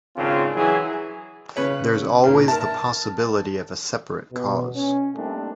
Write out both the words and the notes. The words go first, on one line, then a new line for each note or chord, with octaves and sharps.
There's always the possibility of a separate cause.
G#1 C#3 C4 D4 F4
E3 F#3 E4 G#4
C#3 B4 C#5
G2 A#2 D#3
A#4 E5 A5
B2
C#4
G3 A3 A#3 C4 D4 D#4